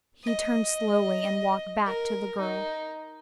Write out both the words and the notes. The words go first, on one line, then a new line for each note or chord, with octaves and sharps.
He turned slowly and walked back to the girl.
D#5
A#4
D#4